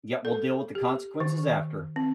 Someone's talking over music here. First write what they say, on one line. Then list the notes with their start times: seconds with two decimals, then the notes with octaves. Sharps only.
Yeah, we'll deal with the consequences after.
0.25 A4
0.75 G4
1.20 D#3
1.96 C4